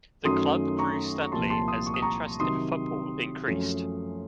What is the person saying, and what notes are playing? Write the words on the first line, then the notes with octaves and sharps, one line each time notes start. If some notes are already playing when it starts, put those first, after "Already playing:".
The club grew steadily as interest in football increased.
F#2 D#3 F#3 A3 C#4 C6 D#6
A#5 C#6
C#6
C2 A#2 F3 A#3 A5 C6
A5 C6
C6 D#6
C#6
D#6
A#5 C#6
C3 D#3 F#3 C6 D#6
F#2 F3 A3 C#4